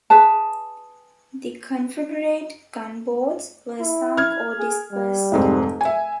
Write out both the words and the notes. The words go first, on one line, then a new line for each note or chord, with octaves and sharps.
The Confederate gunboats were sunk or dispersed.
G#4 B4 A5
E4
F6 G#6
G#4
G3
F1 G#2 C4
E5 G#5